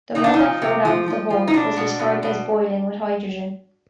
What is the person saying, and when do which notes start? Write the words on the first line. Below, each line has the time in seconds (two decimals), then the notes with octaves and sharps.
The mud that flowed out of the hole was described as "boiling" with hydrogen.
0.15 C3 D#4
0.24 D4
0.34 D#4
0.39 F3
0.62 C3
0.85 F3
1.08 F3
1.30 F3
1.48 D#4
1.54 B2 D4
1.76 B2
2.00 B2
2.23 B2